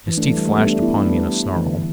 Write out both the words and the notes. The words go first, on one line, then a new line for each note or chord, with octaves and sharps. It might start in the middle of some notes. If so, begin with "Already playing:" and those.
His teeth flashed upon me in a snarl.
E3
A3 D4
E3
G3
A3
G3 B3
A3 D4
B3 E4
A3 D4
G3 B3
G3
E3
D3
E3